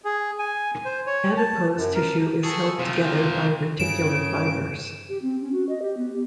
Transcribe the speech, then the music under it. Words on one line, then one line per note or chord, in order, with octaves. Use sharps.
Adipose tissue is held together by reticular fibers.
G#4
G#5
C5
C#5
A5
F#2
A#4
B3 G#4 A4 C#6
C3 F3 F4
G2 C#3 D7 E7
G4
C4
C#4
F#4
D#5
G4
B3
G4